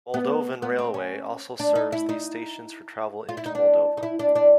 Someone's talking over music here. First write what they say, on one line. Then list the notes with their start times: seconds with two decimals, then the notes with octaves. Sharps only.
Moldovan railway also serves these stations for travel into Moldova.
0.14 B3
0.62 B3
0.78 C4
0.94 C#4
1.60 D4
1.75 D#4
1.92 E4
2.09 D#4
3.29 F4
3.37 E4
3.46 D#4
3.55 D4
3.97 D#4
4.03 E4
4.19 D4
4.35 D4